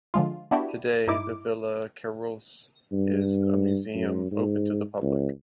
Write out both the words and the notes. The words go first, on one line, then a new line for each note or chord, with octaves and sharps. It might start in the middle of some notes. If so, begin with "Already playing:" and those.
Today, the Villa Kerylos is a museum open to the public.
D3 F3 G#3 F4
B3 D4 E4 F#4 G4
G2 D#4 E4 D6
G2
F#2
G#2
C#2